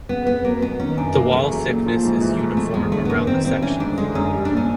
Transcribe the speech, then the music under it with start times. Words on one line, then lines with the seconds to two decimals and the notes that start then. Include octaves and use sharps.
The wall thickness is uniform around the section.
0.09 C#3 B3
0.27 F2 B3
0.45 F#3 A#3
0.62 B2 B3
0.80 D#3 C#4
0.97 F#2 D4
1.15 E3 A#3
1.33 C#3 A3
1.51 F#3
1.69 A#2
1.86 F3
2.04 G#2
2.21 E3
2.39 A2 A3
2.57 B2 A3
2.74 E2 G#3
2.91 D3 A3
3.05 B3
3.09 F#2 A#3
3.27 D#3 C4
3.45 G2 C4
3.62 E3 C#4
3.80 G#2 D4
3.98 D3 G#3
4.15 F#2 C#4
4.34 G3
4.45 D4
4.51 A#2
4.57 C#4